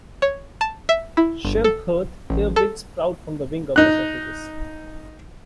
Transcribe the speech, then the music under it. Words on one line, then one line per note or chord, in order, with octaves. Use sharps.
Schempp Hirth airbrakes sprout from the wing upper surfaces.
C#5
A5
E5
E4
G1
A4
A1
A4
D#4 F#6